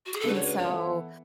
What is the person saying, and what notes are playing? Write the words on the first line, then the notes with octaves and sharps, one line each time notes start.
And so,
F#4
G#4
A4
C#3 G#3 D4 F#4 B4
C#5
B4
C#5
E3 B3 E4 A4